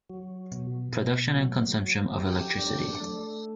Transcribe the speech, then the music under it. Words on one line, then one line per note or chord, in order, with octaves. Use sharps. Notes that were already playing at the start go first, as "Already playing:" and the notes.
Production and Consumption of electricity.
F#3
B2
B2
F#3
F#3
G4
D4
A3